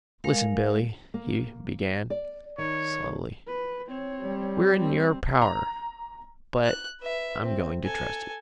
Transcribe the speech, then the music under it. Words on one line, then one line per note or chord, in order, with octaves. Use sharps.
"Listen, Billy," he began, slowly; "we're in your power, but I'm going to trust you."
G#3 A#4 F5
A#3
D5
D#3 C#5
B4
C4 C#5
G3
C4
A#5
F#6
B4 E5
C4
A4 G#5